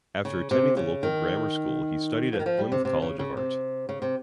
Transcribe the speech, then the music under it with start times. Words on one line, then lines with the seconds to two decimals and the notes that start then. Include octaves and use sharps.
After attending the local grammar school he studied at Plymouth College of Art.
0.25 C#3
0.51 C3
0.77 C#3
1.03 D#3
2.33 F3
2.40 D#3
2.46 F3
2.58 G3
2.72 C3
2.85 C3
3.02 C#3
3.19 C#3
3.37 C3
3.89 C#3
4.02 C3